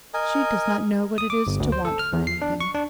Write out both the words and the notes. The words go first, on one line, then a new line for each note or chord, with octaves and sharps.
"She does not know what it is to want for anything."
A#4 D#5 G#5
D#6
D6
G1
D2
C5
A4
F6
E2
C7
D4
C#6
D4